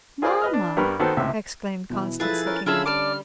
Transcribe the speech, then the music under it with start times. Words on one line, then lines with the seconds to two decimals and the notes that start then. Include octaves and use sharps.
"Mamma!" exclaimed Constance looking up.
0.22 F4 G#4 A#4 C5 D5
0.42 B4 D#5 F6
0.53 D4
0.76 G2 G3 B3 A#4 B5 C#6
0.99 D#3 B3 F#4 A4 B4 C5
1.17 C#2 A2 C3 E5
1.90 B2 E3 E4
2.20 F3 E4 G#4 A4 B4 E5 A6
2.45 C#4 A#4 B4
2.66 D3 C#4 E4 F4 G#4 A5 B5 E6
2.86 G3 D5 A5 D6 F6